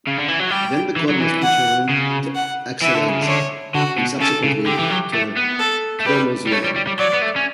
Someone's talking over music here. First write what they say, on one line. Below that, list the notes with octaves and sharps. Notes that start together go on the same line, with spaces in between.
Then the club must return to Eccellenza and subsequently to Promozione.
C#3
D3
E3
F#3
G3 G5
E3
F#3
E3
F#5
C#3
F#5
E3 E5
D3
C#3
D3
C#5
D3 F#4
B2
C#3 A4
C#3
D3 G4
E3
F#3
A3
B3
A4
A3
G3 B4
G3
A3 C#5
G3
G3
G3
F#3 D5
B3
A3
C#4